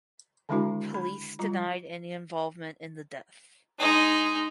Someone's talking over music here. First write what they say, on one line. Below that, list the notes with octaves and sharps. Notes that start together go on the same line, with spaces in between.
Police denied any involvement in the death.
D3 D#3 G#3 D4 E4 F#4
B5
G3 F4 A#5
G#3 D#4